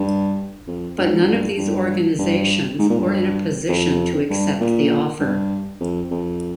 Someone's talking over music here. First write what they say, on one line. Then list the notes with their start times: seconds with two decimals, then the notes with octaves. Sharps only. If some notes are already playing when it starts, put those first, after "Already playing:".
But none of these organizations were in a position to accept the offer.
Already playing: G2
0.67 F2
0.98 G2
1.10 G#2
1.23 G2
1.58 G2
2.19 G2
2.79 G#2
2.89 A#2
2.99 G2
3.69 F2
4.30 G2
4.60 A#2
5.20 G2
5.80 F2
6.11 F2